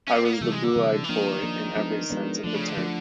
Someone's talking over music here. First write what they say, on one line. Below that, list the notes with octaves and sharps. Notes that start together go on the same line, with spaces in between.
I was the blue-eyed boy in every sense of the term.
C#4
C4
B3
A#3
C3 E3 G3 A3
G#3
D3
C3 E3 G3
E3
D#3 F3 A#3 D4
F3 A#3 D4
F3 G#3 B3 D4
F3 G#3 B3 D4
D3 F3 A3 D4
C#3
D3
F3 A3 D4